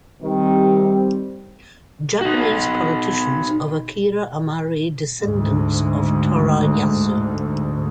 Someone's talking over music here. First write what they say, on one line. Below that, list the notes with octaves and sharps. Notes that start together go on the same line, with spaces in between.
Japanese Politicians of Akira Amari descendants of Torayasu.
C3 D#3 G3 C4
D#4 F#4
D2 G#2